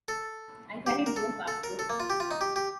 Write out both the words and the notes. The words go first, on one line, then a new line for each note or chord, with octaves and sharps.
I carried no passports.
A4
G4
A#4
A4
A4
A#4
A4
A#3
F4
G4
F4
D#4
G4
G4